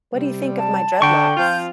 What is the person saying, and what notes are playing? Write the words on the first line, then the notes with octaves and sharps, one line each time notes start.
What do you think of my dreadlocks?
C3 G3
A5
D3 G5 C#6
F3 C4 F4 G6